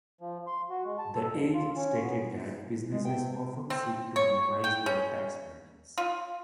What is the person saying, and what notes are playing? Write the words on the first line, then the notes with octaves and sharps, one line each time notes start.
The Edge stated that businesses often seek to minimise their tax burdens.
F3
C6
F#4
G#3
A5
A4
D#2
F4
C#4
B3
G#3
C3 B3 E5 G5
C4
C#5
G5
C#4
F4